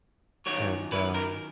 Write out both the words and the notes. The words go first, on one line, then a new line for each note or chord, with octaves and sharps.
and, um,
F#2 D#3 F#3 C#5
B4
A#4